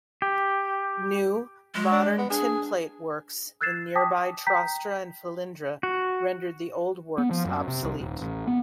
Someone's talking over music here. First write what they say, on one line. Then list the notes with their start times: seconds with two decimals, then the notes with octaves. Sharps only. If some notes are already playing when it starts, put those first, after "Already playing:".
New, modern tinplate works in nearby Trostre and Felindre rendered the old works obsolete.
0.22 G4
1.75 G#3
1.92 D4
2.18 B3
2.30 D4 G#4
3.61 E6 F#6 G#6 A6 C7 E7
3.95 G5 A5 D6 D#6 A#6 B6
4.12 D#6
4.47 G5 A#5 G6 B6
5.83 F#4
7.18 B3
7.31 F3
7.45 F#2
7.68 C3
7.84 C2
8.01 D#1
8.21 A1
8.47 B3